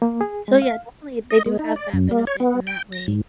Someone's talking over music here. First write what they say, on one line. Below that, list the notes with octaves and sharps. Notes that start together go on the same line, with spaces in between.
So, yeah, definitely, they do have that benefit in that way
A#3
G#4
G#3
F5
D#5
G#3
D#4
D5
F#2
A#3
C#5
B3
G5
A#6
G#2